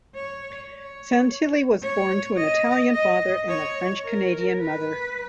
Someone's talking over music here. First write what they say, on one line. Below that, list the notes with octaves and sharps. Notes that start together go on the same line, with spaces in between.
Santilli was born to an Italian father and a French-Canadian mother.
C#5
C#5
C#5
D#5
D#5
C#5
A#4
B4